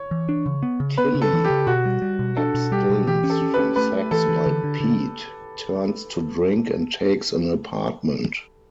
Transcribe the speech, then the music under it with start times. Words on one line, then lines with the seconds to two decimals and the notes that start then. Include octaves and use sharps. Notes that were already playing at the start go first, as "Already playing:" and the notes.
Tillie abstains from sex while Pete turns to drink and takes an apartment.
Already playing: C#5
0.11 E3
0.29 D4
0.46 C#3
0.63 B3
0.80 C#3
0.97 B3 B4
1.15 C#3
1.22 A4
1.33 E3
1.44 G4
1.50 C#3
1.67 B2 F#4
1.86 G3
2.02 G3
2.19 B2
2.37 D4 A4
2.54 B2
2.72 G3 G4
2.90 B2
3.07 E3 G4
3.24 C#4
3.30 A4
3.42 C#4
3.54 B4
3.59 C#4
3.76 A3 B4
3.93 A3
4.11 E3 A4
4.29 E3
4.46 D3
4.64 D3
4.80 D3